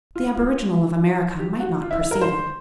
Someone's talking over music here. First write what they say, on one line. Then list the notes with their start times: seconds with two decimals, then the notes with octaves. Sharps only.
The aboriginal of America might not perceive it.
0.15 F4
0.36 F4
1.39 G4
1.60 F#4
1.81 F4
1.91 E4
2.01 E4
2.11 A#4
2.22 C5